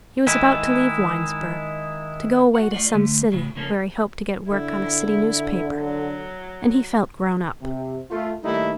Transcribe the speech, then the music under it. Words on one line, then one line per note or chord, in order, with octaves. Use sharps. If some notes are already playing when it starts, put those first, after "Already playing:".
He was about to leave Winesburg to go away to some city where he hoped to get work on a city newspaper and he felt grown up.
D#3 G#3 E4
F#4 F#5
A3 F4 D5
D3 A3
A2 C#3 F#3
C#3 F3 A#3 C#4 A4
D3 E4
F#3
C3
A3 F4
D#3 G3 A3 A#3 D#4 E4